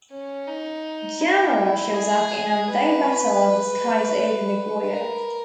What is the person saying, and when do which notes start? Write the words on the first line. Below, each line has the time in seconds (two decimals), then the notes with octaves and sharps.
Gamera shows up and they battle in the skies over Nagoya.
0.11 C#4
0.47 D#4
1.20 E4
1.94 G#4
2.67 B4
4.88 A#4